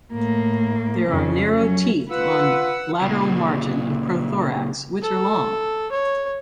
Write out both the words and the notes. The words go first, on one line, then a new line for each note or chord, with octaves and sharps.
There are narrow teeth on lateral margin of prothorax which are long.
A2 A#3
F2 C#3
F#3 C#4
F4 B4 F#5 E6
C#2 A#2
A4
C#5